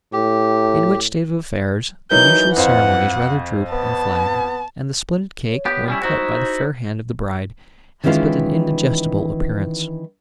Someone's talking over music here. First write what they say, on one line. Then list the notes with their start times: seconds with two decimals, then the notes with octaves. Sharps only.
In which state of affairs, the usual ceremonies rather droop and flag, and the splendid cake when cut by the fair hand of the bride has but an indigestible appearance.
0.13 A2 G4
2.11 E3 F#3 D#4 A#4 G6
2.56 F2 C5 F5 F#5
3.72 B3 A5
5.48 C#5
5.66 B3 G4
5.88 G3 C#4 E4
6.02 D#4 E4 F#4 C5
8.04 D#3 E3 G#3 C#4 E4 F4